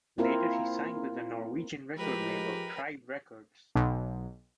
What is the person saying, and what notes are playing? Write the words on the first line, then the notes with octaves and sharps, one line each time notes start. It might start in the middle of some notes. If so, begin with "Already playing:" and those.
Later she signed with the Norwegian record label Tribe Records.
A#3 C4 E4 F4 A#4
F3 G#3 G4 A#4 B4
B1